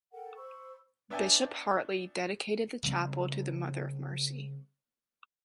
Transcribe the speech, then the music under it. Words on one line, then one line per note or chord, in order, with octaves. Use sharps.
Bishop Hartley dedicated the chapel to Mother of Mercy.
A4 A#4 F#5 G5
C5 B5 C#6 E6
B3 D4 E5 G5 G#5
C#3 G3 B3 C4